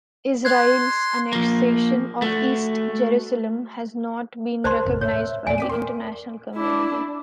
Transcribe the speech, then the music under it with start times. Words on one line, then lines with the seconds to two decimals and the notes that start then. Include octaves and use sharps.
Israel's annexation of East Jerusalem has not been recognized by the international community.
0.45 C6 F#6 G#6
1.33 F3 A#3
2.22 A3 F#4
4.64 C#2 A#4 C5 D5 G#5 A5 C6
4.85 G#1 E2 C3
5.01 A2 C#5 E5
5.47 E2 A#2 D5 G#5
5.58 C4 D6 B6 D#7
5.69 A#4 C6
6.55 D4 E4